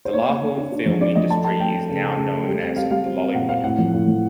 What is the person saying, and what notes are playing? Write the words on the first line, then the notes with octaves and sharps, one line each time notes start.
The Lahore film industry is now known as Lollywood.
C5
A#3 C#5
A#3
A#3
D4
D4
F3
D4 D5
F3 D#5
A3 A5
A3 A5
A3 G5
A3
C#3
C#3
C#3
A3
G3
C4
G3 F5
G3 F5
C4
C4
A#2 F#5
C4 F5
A2 F#5
F3
A2
F3